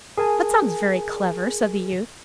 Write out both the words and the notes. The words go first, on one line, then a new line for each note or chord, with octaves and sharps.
'That sounds very clever,' said the youth.
G#4 A#4 G#5 A5